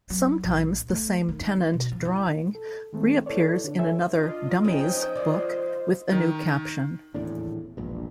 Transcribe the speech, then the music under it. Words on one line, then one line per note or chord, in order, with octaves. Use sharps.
Sometimes the same Tennant drawing reappears in another "Dummies" book with a new caption.
F#3
A#1
A3
D#3
B2
F3
E4
A4
D#3 G#3 A3 C4
E4 A4 B4 C#5 D5
D3 D4
A4 B4 C#5 E5 G#5
D4 F4 D#5
F3 G#3 C#4 D#4 G5
D#3 F3 F4 C5 D5
D#3
D#1 E2 A2 D4
E1 A#1 G2